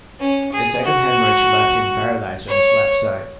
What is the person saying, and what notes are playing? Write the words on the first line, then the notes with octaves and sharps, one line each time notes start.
A second haemorrhage left him paralysed on his left side.
C#4
G#4
F#4
C#5